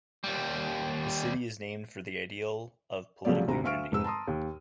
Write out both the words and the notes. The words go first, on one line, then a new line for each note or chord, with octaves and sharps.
The city is named for the ideal of political unity.
D#2 G3
C2 C#3 F3 F#3 A3 D5
G#1 D2 C3 A#5
D2 E5 F5 C#6 F6 D7
F1 G#2 G#3 E6
A5 A#5 C6 D#6
D#2